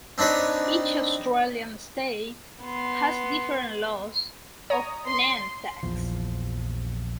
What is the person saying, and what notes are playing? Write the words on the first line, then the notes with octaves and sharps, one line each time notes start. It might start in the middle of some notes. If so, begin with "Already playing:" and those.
Each Australian state has different laws of land tax.
C4 D4 D#4 B4 C#5
B3 C6
C#5 A#5 D#6
C6
A#1 E2 F3